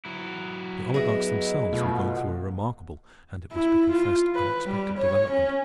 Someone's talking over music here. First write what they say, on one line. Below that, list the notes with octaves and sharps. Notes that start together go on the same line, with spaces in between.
The oligarchs themselves were going through a remarkable and, it must be confessed, unexpected development.
F#3 E4
B3 G#4 D#5 E5
B2 A3 F4
E4
F4
B4
G3
C#5
C#4